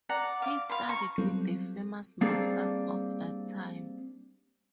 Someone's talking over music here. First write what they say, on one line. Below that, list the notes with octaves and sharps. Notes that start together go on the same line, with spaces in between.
He studied with the famous masters of that time.
D5 F#5 A#5
F5 D6
F5 B5 C6
A#5 C#6
F#3 G3 B3 C4 F4 A4
G3 A#3 C4 D4 G#4 A4